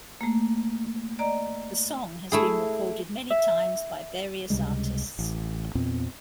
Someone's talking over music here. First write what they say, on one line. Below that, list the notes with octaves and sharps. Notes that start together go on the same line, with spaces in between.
The song has been recorded many times by various artists.
A3 A#3
D5 D#5 A#5
A3 E4 G#4
E5
C#2 C3 G3 G#3
A1
E2 A#2 B3 C4